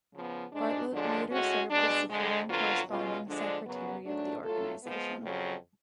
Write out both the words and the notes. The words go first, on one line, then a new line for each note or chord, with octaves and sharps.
Bartlett later served as the Foreign Corresponding Secretary of the organization.
C#3 F3 B3
G#2 G#3 D4
F#2 D3 F3 G#3 D4
A2 G#3 C#4 F#4
B2 G#3 D4
F2 D3 G#3
F2 D3 F#3 B3 F4
B2 G#3 C#4 F4
D3 F3 G#3 D4
F#2 C#3 F#3 B3
G#2 F#3 A3 D4
F#3 A3 F4 A4
F3 G#3 B3
F2 C#3 F#3